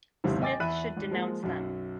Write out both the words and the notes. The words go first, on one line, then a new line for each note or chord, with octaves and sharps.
Smith should denounce them.
F#1 D#2 G#2 C3 E4
D#5 G5 G#5 D6 A6
E2 E5 B5 F#6 D#7
G#1
F3 G#3 A#3
B1 F#2